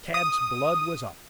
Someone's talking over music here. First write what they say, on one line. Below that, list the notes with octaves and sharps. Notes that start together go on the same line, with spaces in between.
Tad's blood was up.
D#6